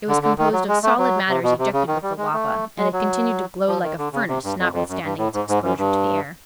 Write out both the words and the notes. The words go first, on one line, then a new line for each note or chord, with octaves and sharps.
It was composed of solid matters ejected with the lava, and it continued to glow like a furnace, notwithstanding its exposure to the air.
D3
D3
D#3
F#3
G#3
A3
F#3
C3
B2
C3
C#3
D#3
G3
G#3
A3
G#3
F#3
F3
D#3
D3
C#3
C3
G2
F2
F2
F#2
G2
A2
G#2
G#2
F#2
G2